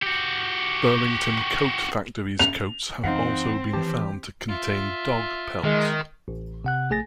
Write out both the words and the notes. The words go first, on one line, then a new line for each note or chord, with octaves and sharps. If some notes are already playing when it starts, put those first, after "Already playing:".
Burlington Coat Factory's coats have also been found to contain dog pelts.
F#4 G4
F7
F#2 E3 C4 D#4 F5 F#5
D#3 E3 G4 A5
F4 E5
D#3 G#3
A1
C3 F#5 F#6
A#1 A3 G#4 G#5 A6 A#6